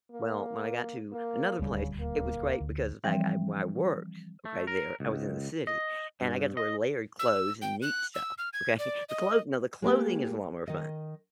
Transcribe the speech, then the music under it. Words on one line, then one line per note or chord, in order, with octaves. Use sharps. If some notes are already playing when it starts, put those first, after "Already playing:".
Well, when I got to another place, it was great because of the fact I where I worked, okay, there, I was in the city, and I got to wear layered clothes and neat stuff. Okay? The clothes no, the clothing is a lot more fun.
A#3
A#3
D#1 D2 C#3 G3
A#3
D2
E3 F3 G3 C4
A3
A#4
C#2
D#5
G2
D#5
E6
G5
F#6
E6
F6
G#6
D5
D#5
G#3 A#3 G4
D#3 D#5